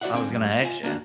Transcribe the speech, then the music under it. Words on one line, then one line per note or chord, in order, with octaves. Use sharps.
I was gonna ask ya.
F#4 C#5 D5 E5 F#5
D3 C4 G5 G#5
F#2 G3
E4 F4 G#5
A#3 D4 F#4